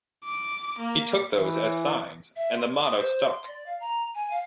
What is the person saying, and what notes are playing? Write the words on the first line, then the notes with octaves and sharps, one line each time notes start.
He took those as signs, and the motto stuck.
D6
A#3
E3
E5
C6
D#6
C5
C6
D5
F5
A#5
G#5
F5